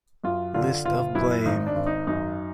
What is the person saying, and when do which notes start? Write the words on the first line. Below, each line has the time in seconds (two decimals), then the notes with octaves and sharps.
List of Blame!
0.24 F#2 F4
0.54 D3 F4
0.84 F#1 F4
1.15 F#2 E4
1.45 G#1 D#4
1.67 D4
1.76 G#1
1.86 D#4
2.07 F#2 D#4